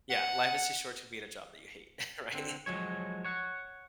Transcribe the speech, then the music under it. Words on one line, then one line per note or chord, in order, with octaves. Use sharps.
Yeah, life is too short to be at a job that you hate, right?
F#5
D3 C4
F3 F#3 G#3 C#5
C#5 F#5